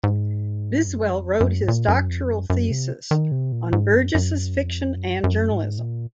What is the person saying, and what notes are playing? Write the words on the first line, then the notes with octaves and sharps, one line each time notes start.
Biswell wrote his doctoral thesis on Burgess's fiction and journalism.
G#2
F#2
F2
F#2
G#2
A#2
F#2
F2
F#2
F#2
C3
D#3
C3
A#2
G#2
F#2
F#2
F2
F#2
F#2
G#2
A#2